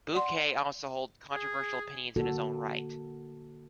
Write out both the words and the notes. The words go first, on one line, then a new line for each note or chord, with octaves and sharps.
Bukay also holds controversial opinions in his own right.
D5 F#5 C6
G#4
D3 A#3 F#4 A4